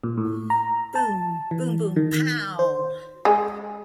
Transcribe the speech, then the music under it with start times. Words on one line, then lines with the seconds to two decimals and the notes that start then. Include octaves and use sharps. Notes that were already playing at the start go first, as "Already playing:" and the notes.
Boom boom-boom pow!
0.04 A#2
0.18 A2
0.50 A#5
0.95 A5
1.51 E3
1.96 D#3
2.59 C5
3.25 G#3